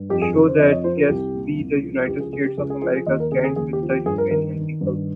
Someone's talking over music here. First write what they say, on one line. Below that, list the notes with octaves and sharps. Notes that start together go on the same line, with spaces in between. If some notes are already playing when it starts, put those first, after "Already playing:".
Show that, yes, we the United States of America stand with the Ukrainian people.
Already playing: G2
F2 G4
G#4
C#3 A#4
C5
F2 D#5
C#5
D#5
F3 C5
A#4
C2 G4
A#2
C2
F3
C#2 G4
G#4
C#3 G#4
G4
C#2 G#4
G#4
F3 G#4
G#4
D#2 D#5
A#4
C#3 G#4
G#4
D#2 G#4
G4
F3
G4
G2 G#4
A#4
D#3 A#4
D#3
G2